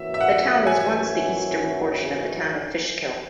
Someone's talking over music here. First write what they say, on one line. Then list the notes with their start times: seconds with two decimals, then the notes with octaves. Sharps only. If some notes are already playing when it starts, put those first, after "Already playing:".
The town was once the eastern portion of the town of Fishkill.
Already playing: G#2 E3 A#3 C#4 F#4 E5
0.14 E5
0.21 F#5
0.67 G#5